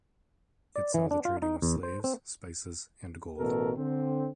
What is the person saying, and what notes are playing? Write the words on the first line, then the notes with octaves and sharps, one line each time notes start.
It saw the trading of slaves, spices, and gold.
D5
E3
D4
F4
D#4
E2
C5
C4
A1 B2 A4 A#4
D3 C4